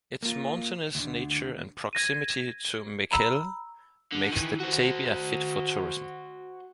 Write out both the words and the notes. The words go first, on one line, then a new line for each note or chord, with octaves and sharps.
Its mountainous nature and proximity to Mekelle makes the "tabia" fit for tourism.
A#3 F4
D2 D3
G#6 A#6 D#7
A#5 B5 E6
D3
D#3 E3
F#4 C5